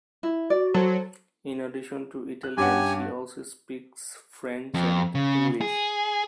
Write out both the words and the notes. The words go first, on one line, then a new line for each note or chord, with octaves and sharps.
In addition to Italian, she also speaks French and English.
E4
F#4 D5
F#3 A4 C5
F#6
G2 C#4 G4 F#5 G#5
F2
C#3
G#4